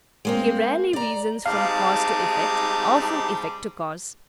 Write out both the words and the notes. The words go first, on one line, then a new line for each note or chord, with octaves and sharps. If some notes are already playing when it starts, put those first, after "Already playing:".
He rarely reasons from cause to effect, or from effect to cause.
G#3 A#3 C4
D5 A#5
G3 G#3 C4 D#4 G4 F5 A5